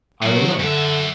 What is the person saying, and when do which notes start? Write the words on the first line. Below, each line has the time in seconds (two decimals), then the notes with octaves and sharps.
"I don't know."
0.23 A#2 F#3 F#4
0.60 F#2 D3 E5